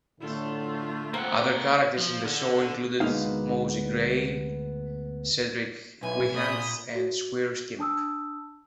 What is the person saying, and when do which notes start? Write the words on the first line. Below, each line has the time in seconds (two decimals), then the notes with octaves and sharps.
Other characters in the show included "Mousey Gray", "Cedric Wehunt", and "Squire Skimp".
0.21 A2 D3 A3 F4
1.14 A#3 C4 F#5
1.97 F3
2.25 D3
3.00 D2 G#3 A#3 B3 D#4 F5
6.03 B1 E3 G#5
6.35 A#2 D3 B5 D#6 G6
6.95 F#4
7.79 D4 A5 D#6 E6